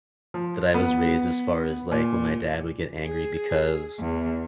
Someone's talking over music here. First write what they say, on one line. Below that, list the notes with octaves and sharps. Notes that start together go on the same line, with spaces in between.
that I was raised as far as like when my dad would get angry because
F3
B3
A#2
G#4
E2